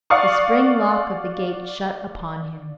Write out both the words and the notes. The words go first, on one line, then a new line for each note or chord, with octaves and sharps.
The spring-lock of the gate shut upon him.
D5 F5 F#5 C#6 D#6